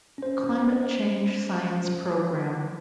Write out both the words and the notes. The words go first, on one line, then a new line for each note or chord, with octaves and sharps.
Climate Change Science Program.
C#4 C5